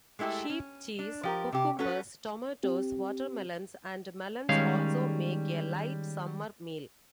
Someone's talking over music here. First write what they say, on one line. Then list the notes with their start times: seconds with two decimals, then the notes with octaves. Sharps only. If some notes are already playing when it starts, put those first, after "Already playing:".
Sheep cheese, cucumbers, tomatoes, watermelons and melons also make a light summer meal.
0.19 G#3 A3 E4 G4 A4
0.50 C#4
0.99 D4
1.23 F3 G4 A#4
1.52 C3 G4
1.79 C#4 F#4 A4 B4
2.63 C4 G4
4.49 D#3 G3 G#3 C#4 C#5 F5